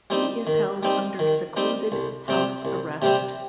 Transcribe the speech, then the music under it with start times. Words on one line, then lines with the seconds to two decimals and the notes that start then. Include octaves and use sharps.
He is held under secluded house arrest.
0.10 G3 C4 D#4
0.47 D#3
0.83 G3 C4 D#4
1.19 D#3
1.56 G3 C4 D#4
1.92 C2
2.28 C3 G3 C4
2.65 C2
3.02 C3 G3 C4